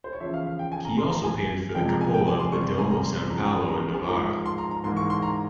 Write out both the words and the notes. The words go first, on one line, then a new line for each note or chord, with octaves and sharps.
He also painted for the cupola of the dome of San Paolo in Novara.
C5
C#5
E2 C#3 F3 E5
F5
F5
G5
G#5
A#5
E2 E3 A#3 C6
A#5
G#5
F2 C3 F3 G#3 G5
A#5
G#5
G5
G#5
C6
C3 G3 A#3 C#6
C6
G#5
A#5
C6
E2 C#3 F3 G#3 A#5
G5
G#5
A#5
G#5
G#2 F3 A#3 A#5
C6
A#5
A#5
G#2 E3 A#3 C6
C#6
C6
A#5